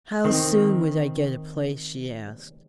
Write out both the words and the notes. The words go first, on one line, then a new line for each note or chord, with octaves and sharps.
"How soon would I get a place?" she asked.
D#3 C4